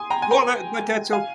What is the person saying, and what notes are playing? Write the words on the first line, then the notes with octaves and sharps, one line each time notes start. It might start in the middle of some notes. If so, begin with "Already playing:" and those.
Well, that but that's o
Already playing: G#5 C6 D#6
G5 A#5
G#5
G5 A#5
F5 G#5